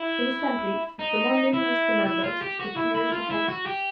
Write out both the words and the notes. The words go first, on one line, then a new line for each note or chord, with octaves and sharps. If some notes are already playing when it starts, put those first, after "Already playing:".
In assemblies, the more numerous the members, the fewer the heads.
Already playing: E4
D#4
E4
E4
F4
G4
F#4
E4
E4
F4
E4
F#4
G4